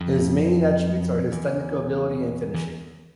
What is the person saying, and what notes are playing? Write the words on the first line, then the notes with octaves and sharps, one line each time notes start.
His main attributes are his technical ability and finishing.
F2
E2
E2